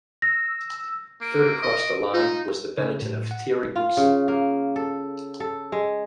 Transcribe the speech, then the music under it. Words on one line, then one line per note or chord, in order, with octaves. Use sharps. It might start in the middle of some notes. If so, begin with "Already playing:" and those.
Third across the line was the Benetton of Thierry Boutsen.
E6 A#6
A#3 D7
D#5
D#4 F4
C#3
A2
F#5
F4
C#3
A#3
A4
A4
G#3